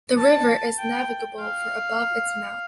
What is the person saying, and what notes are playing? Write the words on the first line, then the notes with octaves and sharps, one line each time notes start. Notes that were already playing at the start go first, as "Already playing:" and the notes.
The river is navigable for above its mouth.
A5
G5
F5